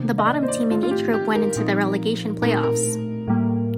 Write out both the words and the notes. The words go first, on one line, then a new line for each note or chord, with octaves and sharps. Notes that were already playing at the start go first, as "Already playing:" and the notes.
The bottom team in each group went into the relegation play-offs.
Already playing: C3 D#3 A#3 D4
D#5
D5
C5
D5
D#3 A3 C4 D#4 F4
F4
G4
G4
A#4
A#2 F3 C4 D#4
A#2 A3 C4 D#4 A#4
A#4
A2 G3 A#3